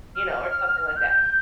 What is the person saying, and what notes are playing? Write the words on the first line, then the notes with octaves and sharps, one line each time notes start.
you know, or something like that.
F6
G6